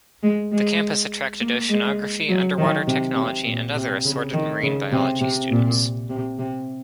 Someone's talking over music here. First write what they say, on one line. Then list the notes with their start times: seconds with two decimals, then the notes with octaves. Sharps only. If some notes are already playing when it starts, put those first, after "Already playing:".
The campus attracted oceanography, underwater technology and other assorted marine biology students.
0.23 G#3
0.52 G#3
1.41 A#3
1.69 G#3
2.29 F#3
2.58 D#3
2.87 C3
3.16 C3
3.46 A#2
3.75 C3
4.05 C#3
4.33 D#3
4.63 C#3
4.92 C3
5.21 C3
5.51 A#2
6.09 C3
6.39 C3